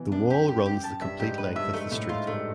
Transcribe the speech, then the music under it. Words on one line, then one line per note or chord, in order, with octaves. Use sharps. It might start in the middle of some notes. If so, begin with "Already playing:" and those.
The wall runs the complete length of the street.
Already playing: B2 E3
F#2 D4
G4
G4
G4
A5
G2 E5
G#2 G4
B4
G2 E5
G#2 A3
A2 A3
G#2 F4
G2 A3